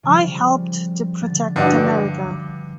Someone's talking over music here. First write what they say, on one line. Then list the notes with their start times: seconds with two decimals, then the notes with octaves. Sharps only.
I helped to protect America.
0.03 C#3 F3 G3
1.21 D3 A6
1.56 G2 D4 F#4